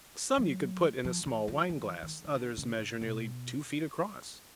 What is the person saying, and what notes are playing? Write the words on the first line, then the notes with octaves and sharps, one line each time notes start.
Some you could put in a small wineglass, others measure nearly two feet across.
F#3
F3
E3
F3
E3
D#3
D#3
D3
C#3
C3
B2